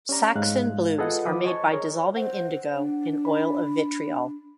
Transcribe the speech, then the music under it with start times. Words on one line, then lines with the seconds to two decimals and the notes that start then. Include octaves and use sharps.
Saxon blues are made by dissolving indigo in oil of vitriol.
0.09 C#4 G4 D5 A#5
0.35 G#2 G#3 F5 F#6
0.98 F4 G#4 A4 B4 D#5 F#5
1.25 F3 B5 D6 D#6
1.44 C5 C#5 D#5 G#5 A5 C#6
1.73 G#4 A#4 C#5
2.17 C5 F#5
2.72 D4
3.25 B5